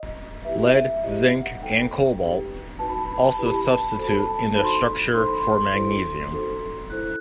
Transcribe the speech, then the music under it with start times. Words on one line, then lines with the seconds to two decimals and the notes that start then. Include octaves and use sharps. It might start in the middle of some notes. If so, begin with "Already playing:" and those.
Lead, zinc, and cobalt also substitute in the structure for magnesium.
Already playing: D#5
0.45 E4 G4 B4 E5
0.74 E5
1.03 E4 G4 C5 D#5
1.23 E5
1.42 F#5
1.62 D#4 A4 C5 G5
2.20 D#4 G4 B4
2.79 D#4 F#4 B4 A5
2.89 B5
2.99 A5
3.08 B5
3.17 A5
3.28 B5
3.37 E4 G4 B4 A5
3.46 B5
3.56 A5
3.65 B5
3.74 A5
3.84 B5
3.94 F#4 A4 C5 A5
4.03 B5
4.13 A5
4.21 B5
4.32 A5
4.56 D#4 F#4 A4 C5 B5
4.64 C6
4.74 B5
5.14 D#4 A4 C5 C6
5.26 B5
5.40 C6
5.73 E4 A4 C5
6.32 D#4 F#4 A4 C5
6.90 E4 A4 C5 F#6